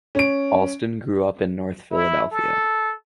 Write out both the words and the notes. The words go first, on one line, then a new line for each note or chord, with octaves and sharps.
Alston grew up in North Philadelphia.
C#4 D7
E4
A4